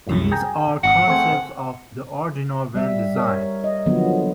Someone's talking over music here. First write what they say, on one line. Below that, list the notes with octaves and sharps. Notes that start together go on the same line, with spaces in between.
These are concepts of the original van design.
C2 F#2 A2
G#4 G5 A#5
G#1 F#5
A3 C4 G#4
G3 E5
A#4 C#5
D#5
D3 D#3 F3 F#3 A#3 B3